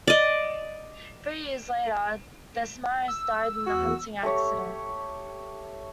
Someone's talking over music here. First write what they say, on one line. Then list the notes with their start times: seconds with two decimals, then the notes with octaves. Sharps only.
Three years later Desmares died in a hunting accident.
0.07 D5 D#5
3.08 E6
3.66 E2 F#4
4.23 A3 G4 C#5